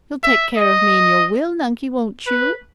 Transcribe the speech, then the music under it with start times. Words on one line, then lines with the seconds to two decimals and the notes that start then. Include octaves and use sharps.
You'll take care of me in your will, Nunkie, won't you?
0.23 E5
0.57 D#5
2.27 B4